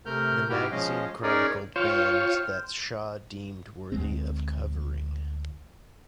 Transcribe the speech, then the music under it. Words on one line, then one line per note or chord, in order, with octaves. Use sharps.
The magazine chronicled bands that Shaw deemed worthy of covering.
C3 A3 A#4 F6 G6
G#2 E4 F#4 G4 G5 F6
F3 G#3 C#4 D#5 F5
C#4 D#4 G#4 A#4 C#5 D5
F4 C5 C#5 F5 G5
D2 G#3 C4